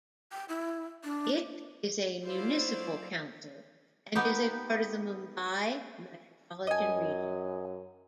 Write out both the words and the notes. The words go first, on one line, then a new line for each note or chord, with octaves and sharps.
It is a municipal council and is a part of the Mumbai Metropolitan Region.
G5
E4
D4
F#3 E4 F4 C5 D5 F5
B3 D#4 G4
F#2 D#5 G#5